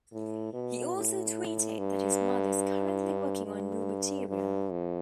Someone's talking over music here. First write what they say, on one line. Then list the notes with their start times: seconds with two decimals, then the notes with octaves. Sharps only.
He also tweeted that his mother is currently working on new material.
0.12 A2
0.53 B2
0.95 A2
1.78 G2
3.46 G2
4.29 G2
4.72 F2